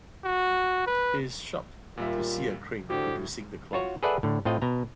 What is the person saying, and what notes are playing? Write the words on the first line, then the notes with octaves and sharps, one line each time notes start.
He is shocked to see a crane producing the cloth.
F#4
B4
D#2 A#2 G3 F4 A#4 E5
A2 D3 F#4 G4 C5
F4 F#4 C#5
G#4 A4 B4 D5 E5 F#5
A2 D3
A2 C4 F4 D#5
B2 A#5